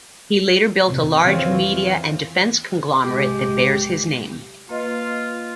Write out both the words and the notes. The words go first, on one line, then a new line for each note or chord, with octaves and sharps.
He later built a large media and defense conglomerate that bears his name.
F2 C3
E3 C4 C#4 F4
B1 G#2 C3 G#3 G4
A#3 F4 B4 D#5